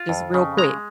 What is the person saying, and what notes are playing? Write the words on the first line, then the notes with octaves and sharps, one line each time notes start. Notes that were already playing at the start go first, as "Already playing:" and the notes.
Just real quick.
Already playing: F4
F2
C#3
G#3 A#5